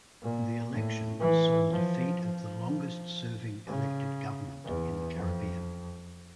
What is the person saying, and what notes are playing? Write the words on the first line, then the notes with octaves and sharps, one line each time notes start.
The election saw the defeat of the longest-serving elected government in the Caribbean.
A#2
A2
E3
F3
F3
C#3
E2
F2